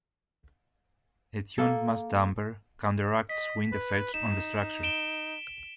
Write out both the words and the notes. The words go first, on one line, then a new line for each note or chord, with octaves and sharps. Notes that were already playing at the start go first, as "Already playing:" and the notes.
A tuned mass damper counteracts wind effects on the structure.
A#3 A4
D#5 B6
B4
D#4 E7
D7 E7 G7